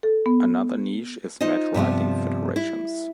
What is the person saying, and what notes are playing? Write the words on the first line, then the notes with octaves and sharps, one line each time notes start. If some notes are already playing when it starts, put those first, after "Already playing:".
Another niche is match-writing federations.
A4
B3
D#4 F4 C5 D#5
G2 C3 F3 B3
E4